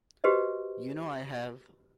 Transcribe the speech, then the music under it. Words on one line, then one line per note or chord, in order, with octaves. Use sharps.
You know I have.
F#4 G4 B4 C5 D#5